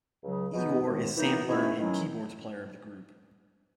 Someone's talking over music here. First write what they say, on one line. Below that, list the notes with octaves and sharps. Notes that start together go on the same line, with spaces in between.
Igor is Sampler and Keyboards player of the group.
C#2 C#3 F#3
B2 G#3 B3 D#4
D#2 D#3 G#3
F#2 E3 B3 D#4
G#2 D#3 A3 C#4 E4
D#3 F#3 C#4 E4